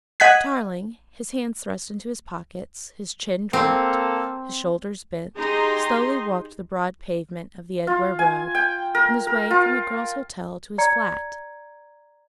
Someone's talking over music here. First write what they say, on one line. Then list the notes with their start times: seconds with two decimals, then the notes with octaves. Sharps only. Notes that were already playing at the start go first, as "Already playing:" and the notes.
Tarling, his hands thrust into his pockets, his chin dropped, his shoulders bent, slowly walked the broad pavement of the Edgware Road on his way from the girl's hotel to his flat.
0.20 D#5 F#5 F#6 G#6 B6
3.53 A#3 C4 A4
5.35 D#4 G4 G#4 A#5 C6
7.87 F4
8.19 G#5
8.55 G5
8.95 A#4
9.27 A#4
9.51 F4
10.78 D5 A#5 G#6 C#7